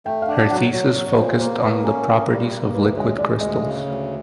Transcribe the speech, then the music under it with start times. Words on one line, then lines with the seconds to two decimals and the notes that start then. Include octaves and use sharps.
Her thesis focused on the properties of liquid crystals.
0.06 A3 G5
0.22 F5
0.28 D4 F#5
0.50 F#3 F#5
0.72 F#3 C#5
0.95 F#3 C#5
1.07 C#5
1.17 A#2 C5
1.39 A#3 C5
1.62 A#3 B4
1.84 C#4 A#4
2.07 A#3
2.29 G3
2.52 A#3
2.74 D2 B4
2.97 G#3 C#5
3.18 G#3 D5
3.41 D2 D#5
3.64 C#3
3.86 D2